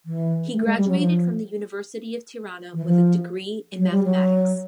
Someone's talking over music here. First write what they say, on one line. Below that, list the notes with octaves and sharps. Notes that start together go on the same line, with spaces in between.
He graduated from the University of Tirana with a degree in Mathematics.
E3
A3
G#3
G3
F#3
F3
E3
F3
F#3
G3
F#3